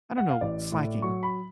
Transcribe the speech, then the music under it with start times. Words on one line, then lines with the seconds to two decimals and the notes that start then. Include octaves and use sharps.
I don't know, slacking,
0.17 F#5
0.29 F5
0.41 A1 D5
0.72 A2
1.02 F#3 C#6
1.23 B5